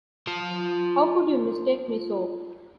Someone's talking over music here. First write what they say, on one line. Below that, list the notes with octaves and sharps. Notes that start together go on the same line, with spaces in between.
How could you mistake me so?
F4 A5